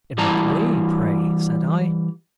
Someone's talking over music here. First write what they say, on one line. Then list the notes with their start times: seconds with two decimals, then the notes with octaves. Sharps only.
'In what way, pray?' said I.
0.18 E3 G3 E4 D5 A5 A#5